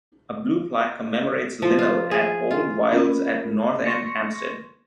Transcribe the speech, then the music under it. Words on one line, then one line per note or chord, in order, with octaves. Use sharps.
A blue plaque commemorates Linnell at Old Wyldes' at North End, Hampstead.
F3
F4
G#4
F4
C#4 F4 A#4 B5
C6 C#6 A#6 C#7